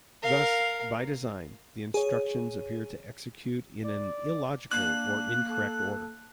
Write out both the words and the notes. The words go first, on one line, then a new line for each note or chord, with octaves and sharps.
Thus, by design, the instructions appear to execute in an illogical or incorrect order.
A#4 F5
G#4 C#5
D5
A#3 D4 F#6
A4